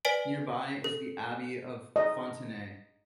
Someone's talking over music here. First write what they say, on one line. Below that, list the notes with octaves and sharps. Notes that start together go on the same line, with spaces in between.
Nearby is the Abbey of Fontenay.
B4 D5 G#5 B6 D7 F#7
A4
D#5